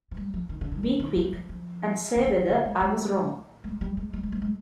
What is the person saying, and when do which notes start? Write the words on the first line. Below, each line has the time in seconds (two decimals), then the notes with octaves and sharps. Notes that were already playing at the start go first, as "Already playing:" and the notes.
Be quick, and say whether I was wrong!
0.11 F3
0.17 G3
0.34 F3
0.49 D#3
0.61 D3
0.72 D#3
0.83 D#3
1.00 D#3
1.16 G3
1.33 F3
1.49 F3
2.16 D#3
2.27 G3
2.38 D#3
2.49 D3
2.65 G#3
2.81 G#3
3.64 G3
3.70 G#3
3.81 G3
3.97 G#3
4.13 G3
4.23 G#3
4.32 G3
4.42 G#3